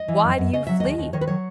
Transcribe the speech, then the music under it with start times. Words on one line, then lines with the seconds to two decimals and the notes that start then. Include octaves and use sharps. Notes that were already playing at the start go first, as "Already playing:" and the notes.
Why do you flee?
Already playing: D#5
0.08 E3
0.24 F#2
0.38 F#2
0.53 C#3 D#5
0.67 F#3 E5
0.80 D#2 D#5
0.98 D#2
1.13 D#3 C#5
1.21 B4
1.27 F#3 C#5